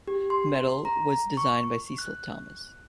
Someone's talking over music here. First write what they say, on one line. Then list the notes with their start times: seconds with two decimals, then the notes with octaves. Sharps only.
The medal was designed by Cecil Thomas.
0.08 G4
0.30 C6
0.85 A#5
1.37 C#6
1.98 F#6